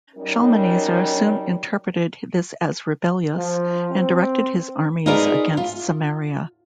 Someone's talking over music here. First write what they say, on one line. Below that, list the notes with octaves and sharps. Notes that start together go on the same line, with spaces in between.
Shalmaneser soon interpreted this as rebellious, and directed his armies against Samaria.
F#3 G3 C#4 D#4 A#4
F3
C4
D#4 F4 G#4 A#4 B4 D5
F4